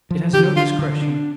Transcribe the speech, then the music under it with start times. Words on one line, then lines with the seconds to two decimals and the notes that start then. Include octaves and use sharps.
It has no discretion.
0.11 F3
0.33 D3 G4
0.56 D4 F4
0.78 D3
1.02 D4